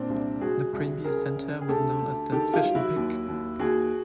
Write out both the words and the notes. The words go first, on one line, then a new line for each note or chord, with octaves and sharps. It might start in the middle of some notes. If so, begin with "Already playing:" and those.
The previous center was known as the "Fish N Pic".
Already playing: A#2 C4 D4
C2
C2 F#4 G#4
C2
C#3 G#4 A#4
C#3
G#4
D2 G4 A4
D2
D#3 G4 A4
F4 G4
F#3
E4 F#4
D#2
D#2
D#2 F#4 G#4